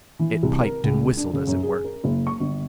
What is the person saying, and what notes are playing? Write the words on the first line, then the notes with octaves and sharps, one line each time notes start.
It piped and whistled as it worked.
E3
C2
A#4
C#2
D4
C#3
F#2
G#4
A#4
F#1
C#6
G1